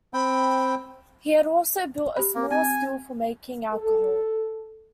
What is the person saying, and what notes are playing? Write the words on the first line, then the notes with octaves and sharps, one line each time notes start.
He had also built a small still for making alcohol.
C4 G5 B5
G4 B5
A#3
C4 G#5
A4